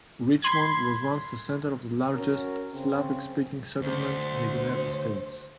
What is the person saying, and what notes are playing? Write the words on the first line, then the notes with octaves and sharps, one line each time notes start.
Richmond was once the center of the largest Slavic-speaking settlement in the United States.
B5 C6 G#6
C#4 F#4 A#4
C#3 C4 C#4
D2 C5